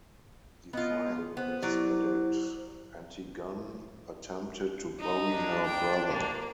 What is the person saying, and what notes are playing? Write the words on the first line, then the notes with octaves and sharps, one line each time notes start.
Defying this edict, Antigone attempted to bury her brother.
B3 F4 D#5
G#4
B3 C5
F#3 E4 G4 D5
D#4
D4
G5
A#3